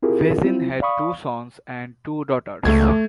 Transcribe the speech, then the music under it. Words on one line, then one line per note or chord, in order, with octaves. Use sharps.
Vezin had two sons and two daughters.
C4 E4 F4 G4 G#4 A#4
F#3 C4 E4 F4
D5 F5 B5 C#6 D#6
C#2 A3 G#6